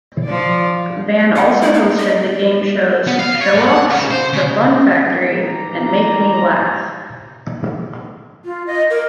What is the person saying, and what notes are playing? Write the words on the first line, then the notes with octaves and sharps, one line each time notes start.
Van also hosted the game shows "Showoffs"," The Fun Factory", and "Make Me Laugh".
F3 D5
F#5
E4
D#4
D#5
B3
F5
C#5
G2
F#5
C#3
C5
C#3
D#3 E3 G3 G4 A#5
F4
D#5
A#4